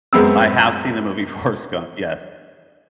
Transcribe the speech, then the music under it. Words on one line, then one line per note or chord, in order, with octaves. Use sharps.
I have seen the movie Forrest Gump. Yes.
F#2 G#3 B3 C4 E6